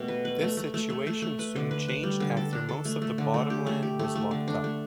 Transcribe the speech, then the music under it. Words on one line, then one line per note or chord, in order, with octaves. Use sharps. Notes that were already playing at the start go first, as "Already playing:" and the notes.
This situation soon changed after most of the bottom land was locked up.
Already playing: B2 A3 G4
B4
B4
A3
A3
A3
A3
A3
A3
B4
D3
B4
B4
G3
D3
A4
D4
A4
A3
A3
D3
A3
G4
A3
G4
A3
A3
D3
D4
A3